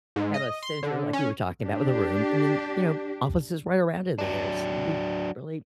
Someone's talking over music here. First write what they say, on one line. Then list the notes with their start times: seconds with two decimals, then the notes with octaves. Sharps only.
have a center- like we were talking about- with a room and then, you know, offices right around it. Th there's it'd be really
0.16 G#2
0.34 D#5
0.63 C6
0.83 D3
1.13 C#4
1.64 D4 G4
4.19 F#3 D4